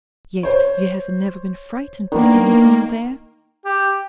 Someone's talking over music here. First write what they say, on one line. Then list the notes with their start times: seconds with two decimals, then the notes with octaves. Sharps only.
"Yet you have never been frightened by anything there?"
0.43 C5 C#5
2.12 D#3 A#3 B3 D4
3.65 G4